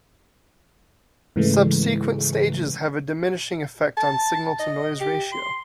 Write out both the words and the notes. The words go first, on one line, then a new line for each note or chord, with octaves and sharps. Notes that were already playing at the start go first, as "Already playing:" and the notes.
Subsequent stages have a diminishing effect on signal-to-noise ratio.
G#2 C#3 E3 G#3 A3
A5
D#5
G4
C6